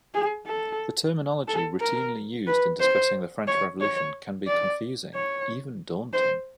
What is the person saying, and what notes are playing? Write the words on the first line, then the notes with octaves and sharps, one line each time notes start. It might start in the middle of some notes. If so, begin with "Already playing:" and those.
The terminology routinely used in discussing the French Revolution can be confusing, even daunting.
G#4
A4
A4
A#4
B4
C5
C#5
C#5
D5
C#5
C5